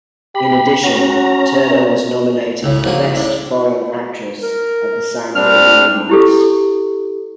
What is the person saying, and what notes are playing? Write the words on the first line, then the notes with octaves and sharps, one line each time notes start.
In addition, Turner was nominated for Best Foreign Actress at the Sant Jordi Awards.
G4 B5
C#4 F#4 A#5
A#2
C#2 A2 C#3
F3 A#3 D#4 F#4 G#4
D#4
A2 D4
A#4
G3 C4 D4 F6
E4 G4 A4